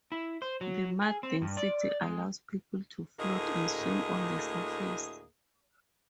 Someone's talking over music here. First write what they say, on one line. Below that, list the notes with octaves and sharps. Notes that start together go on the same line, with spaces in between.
The mud density allows people to float and swim on the surface.
E4
C5
F#3
G#4
C4
G2
D5
G#3
D2 A2 A#3 G#4 D#5